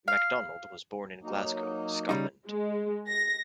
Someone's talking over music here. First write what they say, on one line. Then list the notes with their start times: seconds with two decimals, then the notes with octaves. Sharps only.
Macdonald was born in Glasgow, Scotland.
0.08 F5
1.23 F#3 A#3 D#4
2.09 C#3 G3 D#4
2.47 G#3
3.08 A#6